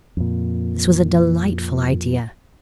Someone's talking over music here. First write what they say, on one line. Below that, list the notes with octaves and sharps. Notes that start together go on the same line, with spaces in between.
This was a delightful idea.
F2 A#2